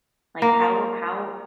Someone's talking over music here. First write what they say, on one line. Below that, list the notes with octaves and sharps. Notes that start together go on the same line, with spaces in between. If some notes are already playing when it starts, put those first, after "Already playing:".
Like, how how
A#3